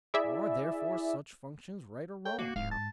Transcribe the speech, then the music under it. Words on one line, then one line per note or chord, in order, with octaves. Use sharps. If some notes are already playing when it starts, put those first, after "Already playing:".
Are, therefore, such functions right or wrong?
E4 G#4 D5 E5
A4 C#5 G5
A#3 F#4 D6
D1 G#2 F5
A5